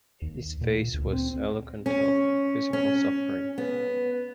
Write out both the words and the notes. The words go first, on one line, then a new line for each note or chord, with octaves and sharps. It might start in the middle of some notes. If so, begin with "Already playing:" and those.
His face was eloquent of physical suffering.
D#2
A#2
D2
C4
C#4
C#4
B3